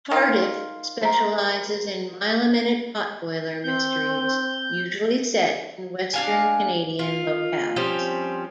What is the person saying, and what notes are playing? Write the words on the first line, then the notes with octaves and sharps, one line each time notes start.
Tardif "specializes in mile-a-minute pot-boiler mysteries, usually set in Western Canadian locales".
D#3 F4
A#4 C5
C4 G6
D4 F5 G#5
F4
F3 G3 C4 C#4